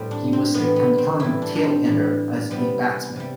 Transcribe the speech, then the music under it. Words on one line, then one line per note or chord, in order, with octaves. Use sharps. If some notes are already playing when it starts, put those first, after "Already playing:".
He was a confirmed tail-ender as a batsman.
Already playing: A2 G3 C4
D4
C4
A2 E3 G3 B3
B3
C4
A2 E3 G3 E4
D4
D4
C4
A2 E3 G3
C3 G3 B3
C3 G3